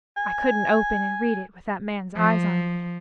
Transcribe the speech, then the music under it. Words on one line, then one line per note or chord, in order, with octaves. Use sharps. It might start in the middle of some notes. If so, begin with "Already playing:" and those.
I couldn't open and read it with that man's eyes on me.
G#5
F3